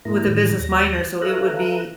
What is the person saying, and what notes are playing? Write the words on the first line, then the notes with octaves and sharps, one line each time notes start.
with a business minor, so it would be
G#2 A#3 E4 A#5
A2 D#3 E3 G3 G#3
D#2 A#6
A4 B4 E5 F5 A#5 F#6